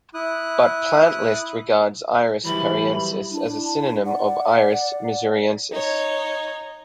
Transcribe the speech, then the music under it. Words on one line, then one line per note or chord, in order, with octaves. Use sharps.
But Plant List regards 'Iris pariensis' as a synonym of 'Iris missouriensis'.
E4 D#6 F#6
E3 F#3 G3 E4 B5
D4 E4
D5 F#5
D#4 C#5